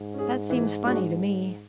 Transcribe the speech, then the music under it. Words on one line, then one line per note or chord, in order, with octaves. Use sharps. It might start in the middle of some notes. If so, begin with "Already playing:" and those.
That seems funny to me.
Already playing: G#2
C#4 G#4
E3
G#3 D4 F#4